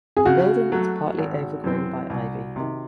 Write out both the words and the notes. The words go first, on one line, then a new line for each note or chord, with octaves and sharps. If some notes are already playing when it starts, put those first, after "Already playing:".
The building is partly overgrown by ivy.
G#4
C#3 F#4
F#3 A3
G#1
F#2 E3 C4
C2
C3 D#3